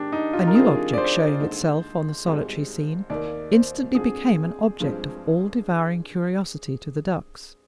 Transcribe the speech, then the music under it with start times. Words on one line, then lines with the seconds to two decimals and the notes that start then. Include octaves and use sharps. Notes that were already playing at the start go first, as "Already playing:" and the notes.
A new object showing itself on the solitary scene instantly became an object of all-devouring curiosity to the ducks.
Already playing: G#2 D#3 A#3 D4 G4
0.12 D#4
0.33 F4
0.47 A#4
0.55 C3 D#3 G3 D4 F4 G#4
0.93 D5
0.98 C5
1.40 D#2 D3 G#3 D#4
2.25 G#1 G#2 G3
3.10 D#2 D#3 A#3 D5
3.52 C5
3.95 F2 D3 G#3 C4 F4 G#4
4.80 G2 F3 G#3 C4